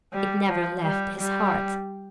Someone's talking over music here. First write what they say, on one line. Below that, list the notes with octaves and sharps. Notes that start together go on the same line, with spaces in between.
It never left his heart.
G3
F3
G3
G3